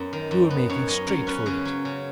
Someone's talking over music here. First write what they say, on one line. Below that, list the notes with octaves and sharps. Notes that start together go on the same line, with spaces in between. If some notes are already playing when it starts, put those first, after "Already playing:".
You were making straight for it.
Already playing: F#2 B3
D#3
F#2
B3
F#2 C#5
F#3 D#5
F#2 C#5
C#4 B4
C#3 G#4
F#3
C#3